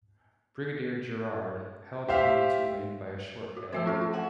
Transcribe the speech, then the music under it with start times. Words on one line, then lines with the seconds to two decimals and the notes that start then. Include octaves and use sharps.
Brigadier Gerard held on to win by a short head.
2.08 G4 C5 E5 F5
3.57 F#4
3.72 F3 A3 C4 C5 E5 E6
3.86 C#4 F4 A4
4.01 F4
4.13 E5 F#5 G#5